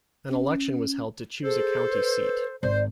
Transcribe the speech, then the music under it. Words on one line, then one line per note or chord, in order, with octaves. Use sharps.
An election was held to choose a county seat.
C#4
G#4 A4 C5
B4
G#1 C5 D5